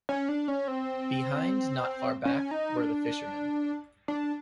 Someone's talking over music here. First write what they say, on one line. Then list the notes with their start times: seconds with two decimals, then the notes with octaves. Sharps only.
Behind, not far back, were the fishermen.
0.09 C#4
0.29 D4
0.48 C#4
0.68 C4
2.25 C#4
2.51 D#4
2.77 D4
4.08 D4